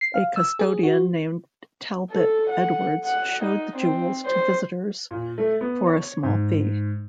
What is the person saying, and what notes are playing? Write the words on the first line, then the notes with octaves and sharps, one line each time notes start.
A custodian named Talbot Edwards showed the jewels to visitors for a small fee.
C7
F5
E6
G#4
F#4
A4
F#5
F#5
D#4
C4
C5
A#2
A3
B3
C#5
G#2